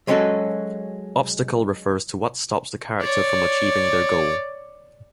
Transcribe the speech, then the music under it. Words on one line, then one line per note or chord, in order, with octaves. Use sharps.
Obstacle refers to what stops the character from achieving their goal.
F#3 G#3 B3 C#4 F#4 A4
C#5 D5